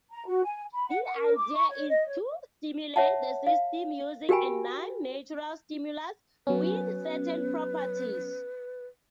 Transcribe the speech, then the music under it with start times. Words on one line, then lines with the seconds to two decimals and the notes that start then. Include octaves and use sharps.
The idea is to stimulate the system using a non-natural stimulus with certain properties.
0.11 A#5
0.26 F#4
0.43 G#5
0.72 B5
0.88 F#5
1.02 F#5
1.15 A#4
1.36 D6
1.55 C#6
1.70 C#5
1.89 D#5
2.06 C#5
2.96 C#5 E5 F#5 A5
3.47 F5
4.29 F#4 G4 A#4 G5 G#5 B5
6.47 F#3 B3 C#4 B4